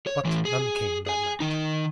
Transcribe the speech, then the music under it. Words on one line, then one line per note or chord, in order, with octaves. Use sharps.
But none came that night.
C#5
A2 E3
G#4
G#4 G#5
D#3 D#4